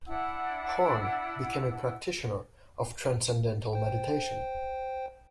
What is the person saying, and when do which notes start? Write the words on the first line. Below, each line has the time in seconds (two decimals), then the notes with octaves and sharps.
Horn became a practitioner of Transcendental Meditation.
0.07 D4 E4 F#5 E6
3.73 C5 G5